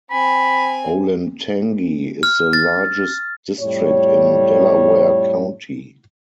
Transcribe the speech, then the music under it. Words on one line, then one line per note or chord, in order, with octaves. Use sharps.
Olentangy is the largest district in Delaware County.
C4 G#5 B5
F6
A6
F2 A2 G3 C#5